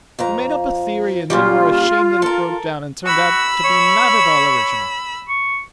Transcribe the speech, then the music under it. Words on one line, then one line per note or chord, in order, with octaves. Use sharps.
You made up a theory and then were ashamed that it broke down and turned out to be not at all original!
F2 F3 A#5
A#2 C#3 G3 F4
A4 A#4
F#4 B5 E6
C#5
C#6